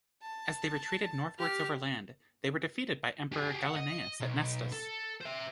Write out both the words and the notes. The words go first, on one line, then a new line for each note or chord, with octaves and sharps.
As they retreated northwards over land, they were defeated by Emperor Gallienus at Nestos.
A5
G4 F6
G4 G#4
F#5
D#5
B1
A4
C5 E5